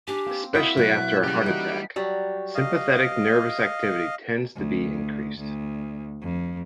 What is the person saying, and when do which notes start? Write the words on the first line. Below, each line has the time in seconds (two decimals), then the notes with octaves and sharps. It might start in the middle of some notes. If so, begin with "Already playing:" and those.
Especially after a heart attack, sympathetic nervous activity tends to be increased.
0.08 D4 G4 G#5
0.26 A#3 C4
0.55 A#3 E4 F#4 E5 D#6
0.77 B2 F#3 E4 F#6
1.24 C#3 G3 G4
1.46 E3 D#4 F#4 A#4
1.96 F#3 G3
2.55 D#5 F5
4.56 D2
5.38 D2
6.22 F2